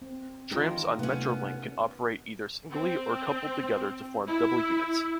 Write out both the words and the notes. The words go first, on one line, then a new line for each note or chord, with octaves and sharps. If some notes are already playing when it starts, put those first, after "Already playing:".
Trams on Metrolink can operate either singly, or coupled together to form double units.
C4
E2 D#3 D#4 F4 A#4
C3 A3 B3 C#4
A#4 F#5
C4
E4